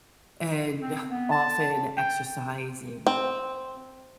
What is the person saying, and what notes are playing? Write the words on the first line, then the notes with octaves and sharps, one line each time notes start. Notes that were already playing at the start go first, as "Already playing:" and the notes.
and often exercise in,
C4
B3
A5
G5
C4